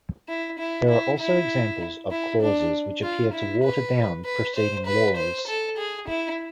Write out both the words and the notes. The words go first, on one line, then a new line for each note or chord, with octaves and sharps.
There are also examples of clauses which appear to water down preceding laws.
E4
E4
E4
E4
E4
D4
F4
E4
B4
B4
C5
B4
C5
A4
G#4
E4